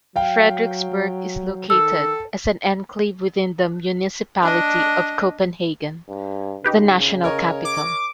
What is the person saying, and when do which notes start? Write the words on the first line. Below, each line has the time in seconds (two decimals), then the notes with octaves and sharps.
Frederiksberg is located as an enclave within the municipality of Copenhagen, the national capital.
0.16 F#3 F5 G5
1.70 D#3 A4 E6
4.41 D4 D#5
6.09 G2
6.64 C#3 D#4 G4 B4
7.24 A#4 C#5 D#5
7.65 D6